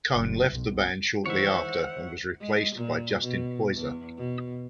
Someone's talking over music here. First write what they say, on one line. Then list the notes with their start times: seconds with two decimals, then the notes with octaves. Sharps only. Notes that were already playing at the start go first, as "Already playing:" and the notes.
Cone left the band shortly after and was replaced by Justin Poyser.
0.12 F#1
0.52 B1
1.26 D#3 E3 G#3 C5 C#5 E5 F#5
2.41 G#3
2.76 A#2
3.21 B2
3.76 E2
4.18 B2